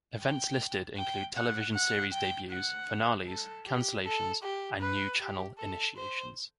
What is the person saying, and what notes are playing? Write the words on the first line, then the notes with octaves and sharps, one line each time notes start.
Events listed include television series debuts, finales, cancellations, and new channel initiations.
G5
G5
F#5
F#5
G5
F#5
A4
G4
A4
G4
B4
G4
A4
C5